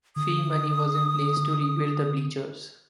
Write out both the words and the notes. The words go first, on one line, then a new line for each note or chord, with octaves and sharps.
Fee, money was in place to rebuild the bleachers.
D3 D#6